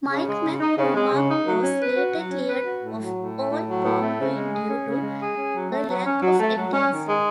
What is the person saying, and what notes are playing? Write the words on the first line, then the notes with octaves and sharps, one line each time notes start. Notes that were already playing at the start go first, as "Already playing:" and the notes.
Mike McCormack was later cleared of all wrongdoing due to a lack of evidence.
C#3
G#3
C#3
D#4
C#3
G#3
C#3
D#4
F#3
C#4
B4
F#4
F#3
C#4
B4
F#4
A2
F#3
A2
A3
A2
F#3
A2
A3
C#3
G#3
G#4
C#4
C#3
G#3
G#4
C#4
F#3
A3
F#3
C#4
F#3
A3
F#3
C#4
D#3
G#3